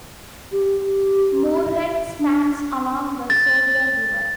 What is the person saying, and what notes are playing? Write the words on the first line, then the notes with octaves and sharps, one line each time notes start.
Moorhead stands along the Soldier River.
G4
D4
A6